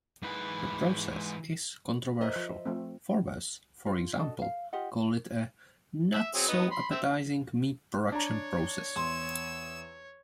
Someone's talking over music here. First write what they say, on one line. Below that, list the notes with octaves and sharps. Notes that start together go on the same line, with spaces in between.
The process is controversial; "Forbes", for example, called it a "not-so-appetizing meat production process".
G#2 E3 B4
A#4 C5 D#5 E5
F3
F3 A3 C4
F4
D4 F#4 A4 D#5
F5
F4 G4 D#5 F#5
E5
F#3 C4 G#4
B3 D#4
B5 C6
C4 E5
D4 C#5 A#5
E2 C6 E6